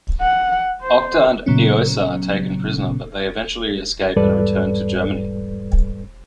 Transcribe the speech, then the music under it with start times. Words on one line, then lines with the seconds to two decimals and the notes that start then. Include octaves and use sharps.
Octa and Eosa are taken prisoner, but they eventually escape and return to Germany.
0.21 F#5
0.81 C5
1.46 A#2 C#3 F#3 B3 C#4
4.16 E2 G#2 G3 A4 B4 D5